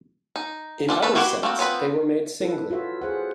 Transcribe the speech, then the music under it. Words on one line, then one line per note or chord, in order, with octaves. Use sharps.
In other sets they were made singly.
D#4
F3 D4 A4
A3 A4 B4
E4 F#4 G4 C5 F#5
A3 A#3 C4 F#4
F3 B3 C4 B4
E4 A4 B4
F4 F#4 C#5 E5
G#4 C5 F#5